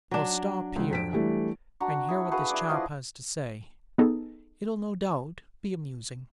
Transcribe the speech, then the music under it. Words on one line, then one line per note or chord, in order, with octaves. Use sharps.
"Well, stop here, and hear what this chap has to say: it'll no doubt be amusing."
F#3 D4
C#2
F2 B6 D7
E3 G3 A3
D4 F#4 F#5 A#5
E4 G#4
F#4 G#4 B4 F5
E4 D5
F3 E4 D#5 C6
B3 D#4 G#4 A4